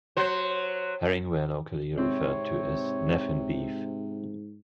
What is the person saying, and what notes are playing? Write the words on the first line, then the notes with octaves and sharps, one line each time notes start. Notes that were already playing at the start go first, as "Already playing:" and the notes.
Herring were locally referred to as "Nefyn beef".
F#3 C5
G#2 C3 C4 C#5